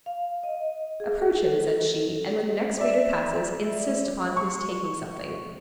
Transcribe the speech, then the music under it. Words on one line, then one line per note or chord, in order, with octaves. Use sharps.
"Approach him," said she, "and when the next waiter passes, insist upon his taking something."
F5
D#5
G#4
A4
D5 E5
C#6